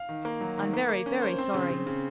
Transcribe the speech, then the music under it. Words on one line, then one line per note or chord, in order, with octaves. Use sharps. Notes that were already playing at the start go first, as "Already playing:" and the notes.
"I'm very, very sorry."
Already playing: F5
D#3
A#3
F#3
D#3
A#3
A#3
C#4
C5
C4
C#3
C#3
C#3